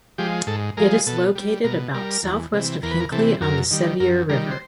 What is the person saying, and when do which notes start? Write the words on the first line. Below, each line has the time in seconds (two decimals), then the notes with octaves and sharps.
It is located about southwest of Hinckley on the Sevier River.
0.18 F3 G#3 G4
0.47 G#2 A4
0.77 F3 G#3 A#4
1.07 B2 A4
1.35 G3
1.64 B2 A#4
1.94 G3 A#4
2.23 E2
2.53 C3 E3
2.82 E2 A#4
2.91 B4
3.00 A#4
3.12 C3 E3 A4
3.41 F#2 A#4
3.71 D#3 G3
4.00 F#2 A#4
4.29 D#3 G3 A#4
4.51 C5